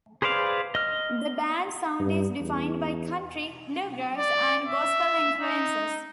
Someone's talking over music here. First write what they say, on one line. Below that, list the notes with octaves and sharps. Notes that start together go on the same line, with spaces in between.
The band's sound is defined by country, bluegrass and gospel influences.
G#4 B4 C5 D5 F5
D#5 F6
G2
E2
D5
E5
D#4